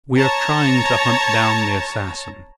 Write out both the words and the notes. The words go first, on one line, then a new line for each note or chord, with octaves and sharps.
We are trying to hunt down the assassin.
C#5 A5 A#5